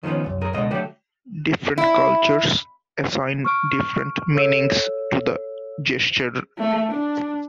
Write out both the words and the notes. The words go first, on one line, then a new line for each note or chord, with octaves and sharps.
Different cultures assign different meanings to the gesture.
D#3 F3 A3 B3 C#4
C2 F#2
F#2 G#4 A#4
C#2 B2 D3 G#3 D#5
D3 F#3 G3 A3 F#4 G4
E4
C#6 F6 D7
A4 C#5 F5 E6
A3
D4